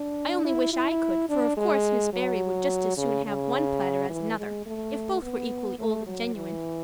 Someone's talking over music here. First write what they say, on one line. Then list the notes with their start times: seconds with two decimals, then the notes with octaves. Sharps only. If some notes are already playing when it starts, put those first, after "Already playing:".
I only wish I could, for of course Miss Barry would just as soon have one platter as another, if both were equally old and genuine.
Already playing: D4
0.44 E4
0.73 E4
1.29 D4
1.57 G#3
2.13 F#3
2.97 C#3
3.26 C#3
4.10 E3
4.38 G#3
4.66 A3
5.22 B3
5.79 A3
6.07 F#3
6.35 E3